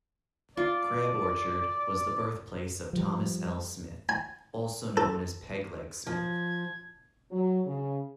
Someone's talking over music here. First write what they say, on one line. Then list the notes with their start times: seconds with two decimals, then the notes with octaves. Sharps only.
Crab Orchard was the birthplace of Thomas L. Smith, also known as "Pegleg" Smith.
0.57 F4 D5
2.93 F3 G3
4.09 G#5
4.97 A4
6.07 F3 G#6
7.31 F#3
7.65 C#3